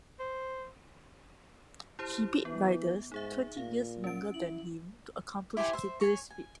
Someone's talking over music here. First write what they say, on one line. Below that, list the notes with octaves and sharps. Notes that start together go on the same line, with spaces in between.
He beat riders twenty years younger than him to accomplish this feat.
C5
E4 G4 C5
E3 B3
G#2 D#4 G#4 E5
A#2 F5
C#4 D7
E4 F#7
E4 G4 C5 G#5
C5 E5
C#5 G#5
G#5